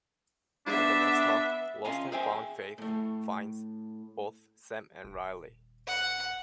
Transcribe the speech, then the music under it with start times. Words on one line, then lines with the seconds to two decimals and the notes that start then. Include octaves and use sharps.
In the next arc "Lost and Found" Faith finds both Sam and Riley.
0.67 B3 D4 E5
1.84 C#4 F4 D#5 F5 G#5 A#5
2.12 G#4 C5 E5 G5 G#5
2.78 A2 A3
5.05 D#1
5.87 F#5